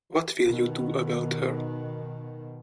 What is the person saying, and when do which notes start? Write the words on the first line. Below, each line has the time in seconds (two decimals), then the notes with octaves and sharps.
What will you do about her?
0.46 B2 D#3